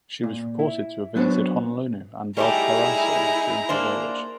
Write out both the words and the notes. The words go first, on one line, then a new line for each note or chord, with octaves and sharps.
She was reported to have visited Honolulu and Valparaiso during her voyage.
A#2
E4
F#3 B3 D4 C5 C#5
G3 A3 D#4 E4 G4 G#4 A#5
A#3 D4 C5